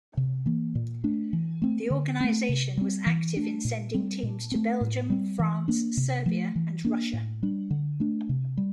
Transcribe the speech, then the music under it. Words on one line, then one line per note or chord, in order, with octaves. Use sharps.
The organisation was active in sending teams to Belgium, France, Serbia and Russia.
C3
E3 A#3
A#2
A3 D4
E3
A3 C4
D3
A3 C4
C3
G3 C4
E3
A3 D4
A#2
G3 C4
A#2
A3 C4
A2
G3 C4
E3
A#3 D4
C3
F3 A3
E3
A#3 D4
A2
G3 D4
D3
A3 D4
C3
G3